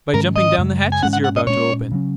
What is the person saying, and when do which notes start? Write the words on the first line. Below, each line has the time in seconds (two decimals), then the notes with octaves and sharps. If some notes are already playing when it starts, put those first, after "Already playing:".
"By jumping down the hatches you're about to open."
0.14 G#2 D#3 G#3 C#4 A#4
0.36 D#5
0.58 F#2 C#3 G#3
0.92 G#5
1.03 G#2 G#3 C#4 F#5
1.13 F#5
1.24 F#5
1.36 D#5
1.47 A#2 G#3 C#4 C#5
1.91 C#3 F#3 C#4